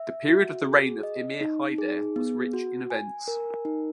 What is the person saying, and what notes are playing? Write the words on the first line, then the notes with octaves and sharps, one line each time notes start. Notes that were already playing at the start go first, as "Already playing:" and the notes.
The period of the reign of Emir Haydar was rich in events.
Already playing: E5
F#4
G#4
D#5
D#4
G#4
B3
F#4
G#5
A#4
D#4